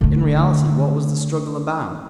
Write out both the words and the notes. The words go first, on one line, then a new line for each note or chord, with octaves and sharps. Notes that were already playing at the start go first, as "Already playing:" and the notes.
In reality, what was the struggle about?
D3 A3